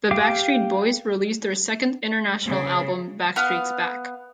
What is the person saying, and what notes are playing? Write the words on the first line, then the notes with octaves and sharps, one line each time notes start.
The Backstreet Boys released their second international album Backstreet's Back.
G4 F5 G5 D6
C#3
B3 F5